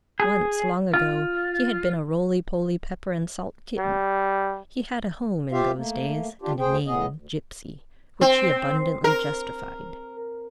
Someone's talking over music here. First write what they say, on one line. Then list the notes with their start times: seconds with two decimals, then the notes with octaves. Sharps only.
Once, long ago, he had been a roly-poly pepper-and-salt kitten; he had a home in those days, and a name, "Gipsy," which he abundantly justified.
0.20 G#4
0.94 F4
3.78 G3
5.52 F4 G4 C5 E5 F5
5.76 A3 A#3
6.41 D4 F4 G4
6.60 D2 G#4 C5 G5
6.87 A2 C#3 B3 G#4 D#5
7.16 D2
8.21 C4
9.04 A#4